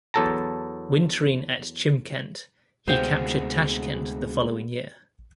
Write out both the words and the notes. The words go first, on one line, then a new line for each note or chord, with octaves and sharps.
Wintering at Chimkent, he captured Tashkent the following year.
E2 F#3 A4 A5 A#5
D2 C3 G#3 B3 F#4 C5 F5 G5